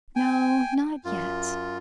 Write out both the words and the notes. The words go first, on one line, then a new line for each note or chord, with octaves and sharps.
'No, not yet.
G5 G#5
F#2 F4